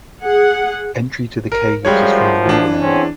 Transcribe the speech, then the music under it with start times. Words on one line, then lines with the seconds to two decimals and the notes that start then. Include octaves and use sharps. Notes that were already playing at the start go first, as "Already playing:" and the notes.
Entry to the caves is from the northern end.
0.23 G#4 F#5
1.52 A#4
1.85 F#2 F3 G3 G#3 C#5
2.46 E3 D4
2.80 E2 C4 C#4